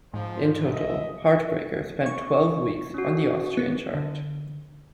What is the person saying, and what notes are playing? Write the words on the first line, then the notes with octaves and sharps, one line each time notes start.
In total, "Heartbreaker" spent twelve weeks on the Austrian chart.
G#2 F3
F4 G4 D#5 E5
C#6
C#4 F#4
B3
D3